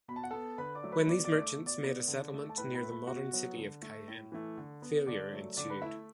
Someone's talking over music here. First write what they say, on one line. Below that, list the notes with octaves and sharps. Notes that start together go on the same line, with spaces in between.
When these merchants made a settlement near the modern city of Cayenne, failure ensued.
B2 B5
A5
F#5
B3 A4 A5
D3 B4 B5
D5 D6
F#3 A3
B4 B5
B2 D5 D6
D5 D6
A3
D6
B2
D5 D6
B3
D3
A3
A5
A2 B4 B5
B4 B5
A3
B4 B5
B2 F#4 F#5
F#3 B3
D3
A3
A2
E3 A3
D3
B3
D3 D5 D6
F#3 A3
D3 D5 D6
B4 B5
A3 E4 E5